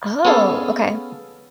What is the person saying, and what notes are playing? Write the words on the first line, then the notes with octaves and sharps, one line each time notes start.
Oh, okay.
B3 C#4 G#4 A4 F5